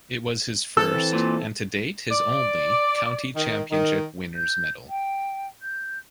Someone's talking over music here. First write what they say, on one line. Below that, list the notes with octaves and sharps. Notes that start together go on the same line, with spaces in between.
It was his first, and to date his only, county championship winners' medal.
E3 C4 A4 E6
A#2
D5
D#3
D#3
G6
G5
G6